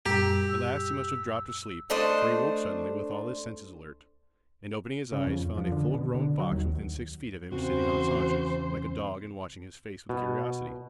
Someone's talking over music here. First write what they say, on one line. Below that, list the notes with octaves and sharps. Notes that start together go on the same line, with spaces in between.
At last he must have dropped asleep, for he woke suddenly with all his senses alert, and opening his eyes found a full-grown fox within six feet of him sitting on its haunches like a dog and watching his face with curiosity.
F#2 A#2 G3 G4 E6
A3 D4 C5 D#5
C#3
F2
F3
D3
B2
D3
F#3
D#2
E2 C#3 E3 C4 F#4 C5
B2